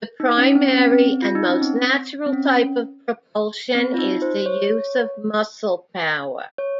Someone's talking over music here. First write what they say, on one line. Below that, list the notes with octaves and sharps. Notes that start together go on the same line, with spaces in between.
The primary and most natural type of propulsion is the use of muscle power.
D#4
C#4
C4
C#4
C4
F4
D#4
C#4
C4
C4
C#4
C4
F4
D#4
C5
C#5
C#5